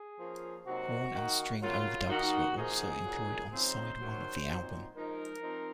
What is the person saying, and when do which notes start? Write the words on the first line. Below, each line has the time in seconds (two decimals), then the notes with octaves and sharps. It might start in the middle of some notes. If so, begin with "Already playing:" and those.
Horn and string overdubs were also employed on side one of the album.
Already playing: G#4
0.19 F3 A#3 C#4
0.66 C3 F#3 A#3 D#4 F#4
1.14 D#3 A#3 D#4
1.61 C#3 F#3 A#3 F4
2.09 D#3 A#3 D#4 F#4
2.56 C3 F3 A#3 D#4 G#4
3.04 A#2 F#3 A#3 D#4
3.52 C#3 F3 C4 D#4 C5
4.00 D#3 F#3 C#4
4.47 A#2 F#3 C4 D#4
4.95 F3 G#3 D#4 A#4
5.42 F3 C4 D#4